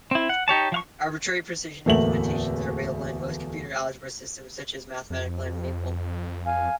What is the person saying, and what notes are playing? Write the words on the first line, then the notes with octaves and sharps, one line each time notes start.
Arbitrary-precision implementations are available in most computer algebra systems, such as Mathematica and Maple.
C4 E4
F#5
D#4 G4 C#5 A5
F3 F5 C#6
D1 E2 A3 A#3 E5 F#7
F2
F5 G#5